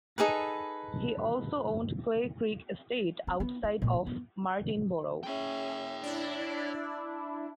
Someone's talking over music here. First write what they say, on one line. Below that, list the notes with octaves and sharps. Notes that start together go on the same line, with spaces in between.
He also owned Clay Creek Estate outside of Martinborough.
D#4 G#4 A4 B4
C4
B3
E4
A#2 G#3
C#4
B3
C#4 G#4 C#5 E5 G5
D4 E4 D5